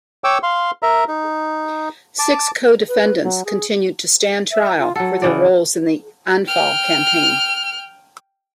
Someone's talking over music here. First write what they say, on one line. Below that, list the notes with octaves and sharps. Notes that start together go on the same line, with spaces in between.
Six co-defendants continued to stand trial for their roles in the Anfal campaign.
C#5 G5 D6 E6
F5 C6
A#4 E5 A#5
D#4
A5 D6
B4
F#3
G#4
E5
F4
F#3 A4 F#5
C#3 E3 D5
G5 F6